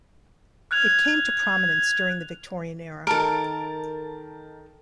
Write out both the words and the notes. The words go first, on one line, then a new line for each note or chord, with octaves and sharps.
It came to prominence during the Victorian era.
F6 F#6 G#6 F7
D#3 A4 A#4 A5 D7